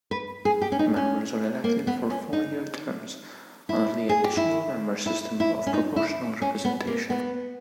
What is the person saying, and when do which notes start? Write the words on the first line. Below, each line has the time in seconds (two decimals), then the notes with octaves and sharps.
Members are elected for four-year terms under the Additional Member System of proportional representation.
0.11 B4
0.45 G#4
0.61 G4
0.72 C#4
0.79 D#4
0.96 C#4
1.64 A#3
1.87 B3
2.10 C#4
2.33 D#4
3.69 E4
4.09 G#4
4.24 G4
4.37 E4
5.06 E4
5.40 E4
5.67 C#4
5.73 D#4
5.96 E4
6.42 C#4
6.65 B3
6.87 A#3
7.10 B3